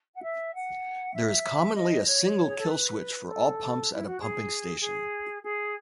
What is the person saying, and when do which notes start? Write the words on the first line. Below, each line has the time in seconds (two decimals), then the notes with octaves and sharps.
There is commonly a single kill switch for all pumps at a pumping station.
0.15 F#5
0.21 E5
0.52 F#5
1.13 E5
1.74 D#5
2.05 C#5
2.45 G#4
2.56 A4
2.66 B4
3.27 A4
3.92 E4
4.05 F#4
4.19 G#4
4.79 G#4
5.41 G#4